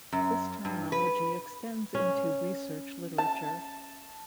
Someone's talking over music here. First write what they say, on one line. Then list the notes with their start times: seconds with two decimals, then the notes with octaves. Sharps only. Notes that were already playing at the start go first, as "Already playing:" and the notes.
This terminology extends into research literature.
0.12 F#2
0.65 G2
0.92 B4
1.95 C#4
3.18 A5